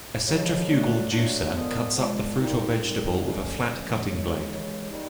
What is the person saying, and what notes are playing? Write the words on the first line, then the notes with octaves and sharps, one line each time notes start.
A centrifugal juicer cuts up the fruit or vegetable with a flat cutting blade.
D#2 C#3 F3
D3 F#3 A3 D4
D3 F#3 A3 D4
A#2 F3 G#3 B3
A#2 F3 G#3 B3
C2 A#2 G3 C4 D#4
C2 A#2 G3 C4 D#4
D#2 D3 F3 A3 C#4
D#2 D3 F3 A3 C#4
D#2 C#3 E3 G#3
D#2 C#3 E3 G#3
D#3 G3 A#3 D#4